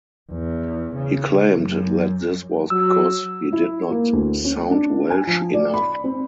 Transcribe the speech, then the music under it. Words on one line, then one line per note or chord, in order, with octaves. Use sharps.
He claimed that this was because he did not sound Welsh enough.
E2
C#3
F#2
F#3 E6
E4
A#3
D2
C#4
D4
G#5
F3
D5
B5
C4